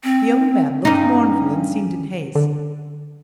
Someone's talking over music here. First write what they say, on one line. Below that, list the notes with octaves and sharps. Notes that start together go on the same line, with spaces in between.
The old man looked mournful, and seemed in haste.
C4
G2 C#4 D#4
D3